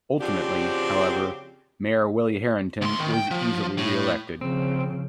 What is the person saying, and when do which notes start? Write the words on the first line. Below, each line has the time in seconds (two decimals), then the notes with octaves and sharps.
Ultimately, however, Mayor Willie Herenton was easily reelected.
0.21 C#3 F3 C4 D4 F#4 G4
2.82 D2 C6
3.00 D#3
3.14 G5
3.31 F3
3.78 A2
4.41 C#3 F3 C4